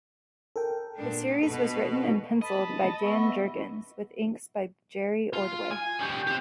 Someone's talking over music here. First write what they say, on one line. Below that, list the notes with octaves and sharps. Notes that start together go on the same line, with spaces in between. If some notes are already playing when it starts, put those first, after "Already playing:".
The series was written and penciled by Dan Jurgens, with inks by Jerry Ordway.
A4 A#4 G5
A#2 B3 D4
B2 A4 B4
D#5 A5 B5
B3 E5 C#6
F4
G#5
C#4 G4
C4 G4